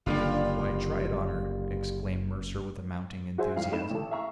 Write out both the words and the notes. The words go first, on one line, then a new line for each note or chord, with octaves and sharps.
"Why, try it on her!" exclaimed Mercer with mounting enthusiasm.
F#1 D3 G3 A#3 F4
F#4 G#4 C5 E5 G#5
C2 F2 F5
A3 C4 D#4 B5 E7
A1 A4
E5 F5 A#5 C#6